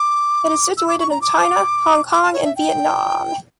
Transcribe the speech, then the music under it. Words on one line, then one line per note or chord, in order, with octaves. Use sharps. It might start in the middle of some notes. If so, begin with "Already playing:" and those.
It is situated in China, Hong Kong and Vietnam.
Already playing: D6
E6
D6
C#6
A#5
D6
D6
A5
C#5
E5
G5